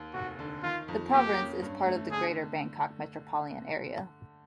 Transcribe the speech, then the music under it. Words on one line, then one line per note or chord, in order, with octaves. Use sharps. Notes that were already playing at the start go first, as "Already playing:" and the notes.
The province is part of the greater Bangkok Metropolitan Area.
Already playing: D#2
F1 F#4
D3
D#3 F4
F2
A#3 G4
C#4
G2
A3
D3 G#4